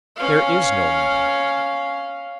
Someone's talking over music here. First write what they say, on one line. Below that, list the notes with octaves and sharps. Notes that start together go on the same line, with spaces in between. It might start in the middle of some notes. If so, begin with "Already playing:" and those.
There is no meaning.
C#4 F5